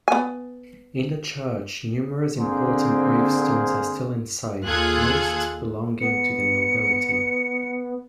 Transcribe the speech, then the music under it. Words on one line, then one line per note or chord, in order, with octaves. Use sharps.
In the church numerous important gravestones are still inside, most belonging to the nobility.
B3 G#5
D3 A#3 C4 G#4 C5
D#2 F4 G#4 A4 F#6 G#6
B3 C#7